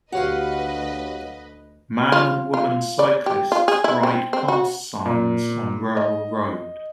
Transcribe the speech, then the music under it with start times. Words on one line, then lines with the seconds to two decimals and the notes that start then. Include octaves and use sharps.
Man and woman cyclists ride pass signs on rural road.
0.12 D2 F#4 G4 B4 C#5 D#5 F5 F#5
2.12 F4
2.54 F4
2.99 D5
3.26 G4
3.52 F4
3.68 G#4
3.84 E4
4.03 C4
4.33 C4
4.48 F#4
5.06 A#2
5.97 D#5